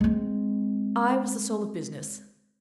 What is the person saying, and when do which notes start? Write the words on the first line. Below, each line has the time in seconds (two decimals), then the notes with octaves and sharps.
I was the soul of business.
0.01 G#3 C4